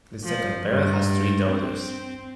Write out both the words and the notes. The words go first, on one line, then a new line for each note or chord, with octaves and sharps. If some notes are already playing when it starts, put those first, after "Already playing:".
The second baron has three daughters.
F3
G2
C4